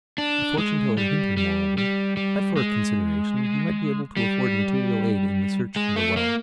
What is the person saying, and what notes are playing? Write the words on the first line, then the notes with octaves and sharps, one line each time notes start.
The fortune-teller hinted, moreover, that for a consideration he might be able to afford material aid in the search for the well.
D4
G#3
G3
G3
G3
G3
G#3
G3
G#3
A3
A#3